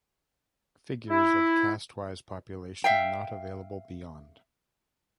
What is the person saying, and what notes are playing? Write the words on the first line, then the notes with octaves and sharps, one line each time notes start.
Figures of caste-wise population are not available beyond.
E4
E5 F5 G5